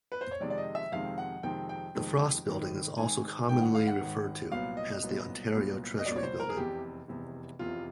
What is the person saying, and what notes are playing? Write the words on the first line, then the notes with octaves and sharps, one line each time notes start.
The Frost Building is also commonly referred to as the Ontario Treasury Building.
B4
C5
C#5
F2 C3 D#3 G#3 C4 D5
D5
D#5
E5
F2 C3 D#3 G#3 C4 F5
F#5
F2 C3 D#3 G#3 C4 G5
G5
F2 C3 D#3 G#3 C4
G#1 G#2 D#3
G#1 G#2 D#3 G#5
G#1 G#2 D#3 G5
F#5
F5
F#5
G#1 G#2 D#3
C2 A#2 F#3 B3 F5
D#5
C2 A#2 F#3 B3
C2 A#2 F#3 B3
D#5
C2 A#2 F#3 B3 D5
C#5
C5
A#4
G#4
F1 E2 C3 G4
F1 E2 C3
F1 E2 C3 F4